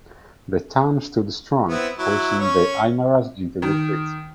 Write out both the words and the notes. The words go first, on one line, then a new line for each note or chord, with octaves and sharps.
The town stood strong, forcing the Aymaras into retreat.
B3 C4 E4
F#3 E4
C#4 C#5
D#3